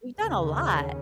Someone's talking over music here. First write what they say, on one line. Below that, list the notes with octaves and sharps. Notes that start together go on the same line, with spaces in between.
You've done a lot.
D#2 C#3 B3
C#4